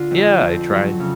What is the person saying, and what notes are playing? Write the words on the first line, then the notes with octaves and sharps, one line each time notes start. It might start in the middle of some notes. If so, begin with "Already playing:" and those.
yeah, I try
Already playing: D3 F4
F2
F2
F#3
C#3